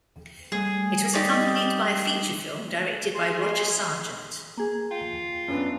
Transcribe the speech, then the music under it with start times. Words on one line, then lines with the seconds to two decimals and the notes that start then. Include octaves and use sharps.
It was accompanied by a feature film, directed by Roger Sargent.
0.52 G3 A3 G#4
1.14 D#4 G4 D5
3.14 G#4 D#5 G#5 C6
4.57 A#3 G#4
4.91 F4 G5
5.48 F#2 B3 D4